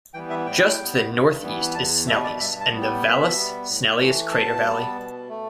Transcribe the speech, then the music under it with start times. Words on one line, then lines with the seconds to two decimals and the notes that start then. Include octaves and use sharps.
Just to the northeast is Snellius and the Vallis Snellius crater valley.
0.14 E3 G3 B3 G5
0.30 E5
0.46 A2 G5
0.78 G3 B3
1.11 G2
1.43 E3 G3 B3
1.75 E2 A5
2.07 B2 G3 E5
2.23 D5
2.39 G2 E5
2.60 A5
2.71 G3 B3
2.82 G5
3.03 B2 E5
3.36 G3 B3
3.68 A2
4.01 E3 A3
4.32 B2 A5
4.65 G3 B3
4.96 B2
5.29 A3